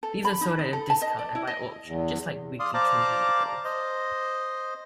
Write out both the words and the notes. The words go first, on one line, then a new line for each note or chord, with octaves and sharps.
These are sold at a discount and by auction just like weekly Treasury bills.
A4
B5
D#4
D#4
A4
A5
D#5
D5
E4
D#5
E2
D5 F5 C6 D#6
C5 D5 F5 A5 A#5 D6
C5 D#5